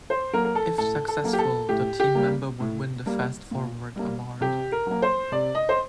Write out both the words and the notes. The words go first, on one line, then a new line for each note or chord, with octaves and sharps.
If successful, the team member would win the Fast Forward award.
C5
F#3 A#3 A#4
A#4
A4
A2 A4
A4
F#3 A#3
G4
A4
A2 G4
G4
G3 A#3
A2
G3 A#3
A#2
G3 A#3
C3 G4
A#4
F#3 A#3
C5
C3 D5
D#5
C5